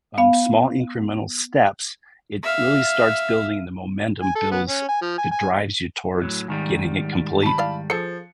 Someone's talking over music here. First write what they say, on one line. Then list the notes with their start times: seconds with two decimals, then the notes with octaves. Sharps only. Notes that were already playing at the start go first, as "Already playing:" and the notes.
um, small incremental steps, it really starts building the momentum builds that drives you towards getting it complete.
0.18 B3 F5
2.43 E5 F5
4.22 G#5
4.35 A4
4.51 B3
4.68 C#4
4.89 G#5
5.01 F3
5.18 G#5
5.31 G#5
6.22 A2 F#3
6.48 G#2 D#3 G3
7.43 A5 B5
7.58 E4 D5 F5
7.90 F3 G#4 A4 C#7